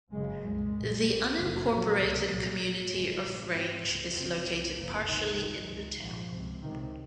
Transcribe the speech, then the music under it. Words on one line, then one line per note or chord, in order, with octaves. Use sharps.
The unincorporated community of Range is located partially in the town.
F#1 F#2 C#3 G#3
C2 A#2 G#3
A#1 A#2
C2 C3
F#1 F2 C#3
A#1 A#2 F#3
C#2 C3
C2 A#2 F#3
A#1 G#2
F1 D#2 C#3 G#3
A#1 G#2
G#1 G#2 C4
C#2 C3
F1 D#2 C#3 C4
C2 C3
F#1 F2 C#3 A#3
C2 C3 D#3
G#1 G#2 D#3
C#2 C3
A#1 G#2 F3
C#2 C3
C#2 C3 D#3